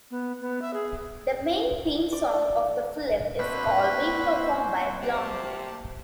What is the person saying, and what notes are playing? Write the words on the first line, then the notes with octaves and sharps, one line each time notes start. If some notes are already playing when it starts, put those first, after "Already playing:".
The main theme song of the film is "Call Me" performed by Blondie.
B3
B3
E5
G#4
D5
A#3 C4 D4 E4 F#4 B4 C5
C3 G4 A5